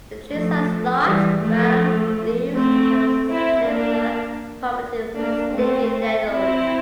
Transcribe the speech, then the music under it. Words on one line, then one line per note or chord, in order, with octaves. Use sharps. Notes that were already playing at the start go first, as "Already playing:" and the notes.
The tree has large, round leaves that have similar properties to stinging nettles.
F3 A3
E3 G3
F3 A3
A3 C4
C4 E4
A#3 D4
A#3 D4
A3 C4
C4 E4